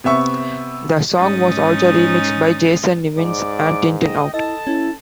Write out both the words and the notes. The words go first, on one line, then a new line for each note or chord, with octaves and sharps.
The song was also remixed by Jason Nevins and Tin-Tin Out.
C3 B3 E5 C#6
G#2 G#3 C#4 D#4 D#6 A6
G#2 D5 D6
D#5 G5
E4 A4 D#5 A5
C#4 E4